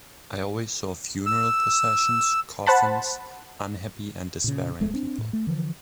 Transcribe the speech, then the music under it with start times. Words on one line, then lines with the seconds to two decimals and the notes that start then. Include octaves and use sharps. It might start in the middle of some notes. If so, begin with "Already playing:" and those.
I always saw funeral processions, coffins, unhappy and despairing people.
1.26 E6
2.67 C5 F#5 A5 B5
4.44 A#2 C#3
4.80 D1 G#3 A3
4.94 C4 D4
5.18 A2
5.33 A3
5.47 D3 E3 F3